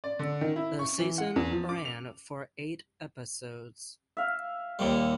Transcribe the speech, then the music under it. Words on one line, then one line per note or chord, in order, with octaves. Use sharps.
The season ran for eight episodes.
D5
D3
D#3
E4
C#6
E3
F#5
E2
F3
D6
F7
E5 F5
D#2 A#2 G3